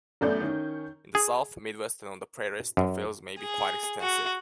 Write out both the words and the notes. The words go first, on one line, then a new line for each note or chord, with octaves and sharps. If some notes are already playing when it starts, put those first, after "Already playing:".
In the South, Midwest and on the Prairies the fields may be quite extensive.
A1 F#2 A3 B3 D5 G6
D#3 C#4
G#4
F#2
G#4
F#4